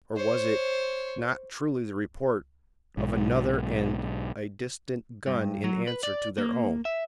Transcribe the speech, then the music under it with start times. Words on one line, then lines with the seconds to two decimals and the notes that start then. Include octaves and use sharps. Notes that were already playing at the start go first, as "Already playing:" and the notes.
Or was it not truly the report of another and a distant gun in answer to their own?
0.17 C5 C#5
2.97 B1 G#2
5.27 G2
5.64 F#3
5.87 B4
6.03 D5
6.38 A#3
6.85 E5